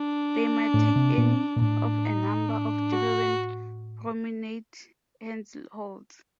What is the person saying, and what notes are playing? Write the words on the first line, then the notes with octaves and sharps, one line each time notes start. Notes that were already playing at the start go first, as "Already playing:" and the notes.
They might take any of a number of different promenade handholds.
Already playing: D4
A2
C3
A#2
A#2
A2 D4
D#4
D4
F#4